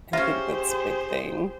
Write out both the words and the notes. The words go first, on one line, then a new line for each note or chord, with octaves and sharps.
I think that's a big thing.
C#4 F4 G4 G#4 C5 E5